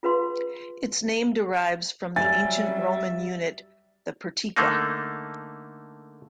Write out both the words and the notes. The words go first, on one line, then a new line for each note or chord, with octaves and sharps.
Its name derives from the Ancient Roman unit, the "pertica".
F4 G#4 B4 F5 C6
F#3 G3 E5 G#5 A6
D3 A3 A#3 D#4